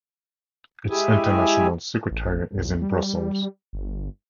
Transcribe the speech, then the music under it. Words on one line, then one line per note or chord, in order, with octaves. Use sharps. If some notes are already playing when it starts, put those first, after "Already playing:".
Its International Secretariat is in Brussels.
G#3 E4 G4 G#4 E5 G#5
A1
B1
G3
G1